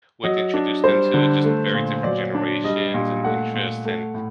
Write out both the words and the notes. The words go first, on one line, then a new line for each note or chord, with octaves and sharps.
would introduce them to, it's just very different generations, and interests, and
F#3 D#5
D4
G3 C5
D3
A3
A#2
F#3 D5
D4
G3 D#5
A#2
A3 F#5
A#2
A3
A2